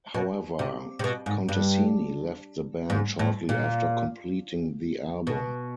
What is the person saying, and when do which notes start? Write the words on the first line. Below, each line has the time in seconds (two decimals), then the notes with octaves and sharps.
However, Contesini left the band shortly after completing the album.
0.14 B2
0.59 C3
0.99 C3
1.04 B2
1.26 G#2
1.49 G2
2.90 G#2
3.19 A2
3.49 A#2
5.27 B2